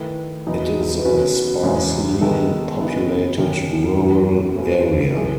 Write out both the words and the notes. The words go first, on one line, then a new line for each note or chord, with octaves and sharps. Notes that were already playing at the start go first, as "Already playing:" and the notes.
It is a sparsely populated, rural area.
Already playing: D#3 A3 E4 B4
E2 B2 F#3 B3 D#4
B2 F#3 C#4 F#4 B4
E2 C#3 G#3 C#4 F#4
D#3 G#3 B3 D#4 A4
C#3 E3 B3 D#4
F#2 D#3 F#3 C#4 F#4
E2 B2 F#3 A3
B2 A3 C#4 F#4 B4
F#2 E3 G#3